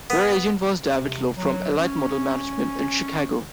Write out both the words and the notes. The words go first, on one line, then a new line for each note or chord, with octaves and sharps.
Their agent was David Love from Elite Model Management in Chicago.
B3
C3
F#3
C#4